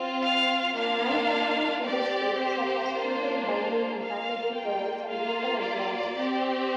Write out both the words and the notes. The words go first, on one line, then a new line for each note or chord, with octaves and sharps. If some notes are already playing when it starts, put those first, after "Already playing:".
Manufacturing industries such as printing, binding and packaging provide some local employment.
Already playing: C4 F4
F5
A#3 D4 F4 F5
C4 G4 D5
C5
A#3 D4 F4
C5
A#3 F4 F5
G5
A#3 F4 F5
D5
C4 G4